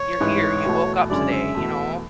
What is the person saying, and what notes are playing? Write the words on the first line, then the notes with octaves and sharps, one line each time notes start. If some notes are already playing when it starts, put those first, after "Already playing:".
you're here, you woke up today, you know?
Already playing: C#5
A1 G#2 E3
E2 B2 A3
F#1 F#2 D3 G#3 C#4 D5
E5
E2 B2 A3